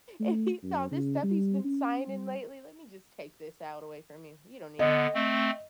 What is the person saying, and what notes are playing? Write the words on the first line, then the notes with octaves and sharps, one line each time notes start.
if he saw this stuff he's been signing lately, let me just take this out away from you. You don't need it.
A3
F#2
C#3
G3
C#4
G3
D3 B3 D#5
A3 C4